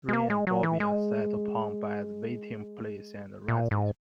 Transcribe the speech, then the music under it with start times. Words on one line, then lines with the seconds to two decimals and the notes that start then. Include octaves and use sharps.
Ray and Bobby are set upon by the waiting police and arrested.
0.09 G#3
0.13 A#3
0.30 G#3
0.47 F#3
0.63 E3
0.80 G#3
3.48 A#2
3.71 G#2